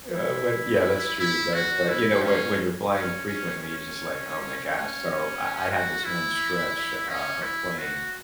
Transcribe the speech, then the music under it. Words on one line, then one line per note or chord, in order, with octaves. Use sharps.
uh, when yeah, that's true, but, uh, you know, when when you're flying frequently, it's just like, "Oh my gosh," so I I had this one stretch, uh, of playing,
E4
E4
F#4
E4
C#4
C#4
C#4
C#4
C#4
F#4
E4
C#4
E4
F#4